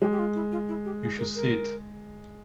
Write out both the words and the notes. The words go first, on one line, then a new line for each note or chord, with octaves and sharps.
You should see it.
G#3 G4
G4
F4
E4
F4
E4
G4
G#4
A#4
A#4